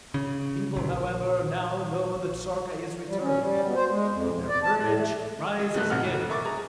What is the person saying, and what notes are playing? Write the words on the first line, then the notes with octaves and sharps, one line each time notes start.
The people, however, now know that Sarka is returning, and their courage rises again!
C#3
A#1
G3
C#4
G3
B2
C5
G#3
F2
E2
D5
A5
A2
A3
G#3
F#1 B2 A3 F#6
A1 G#2 C3 F#5 F6
F1
A#4 E5 C#6 D6 A6
G#4 A#5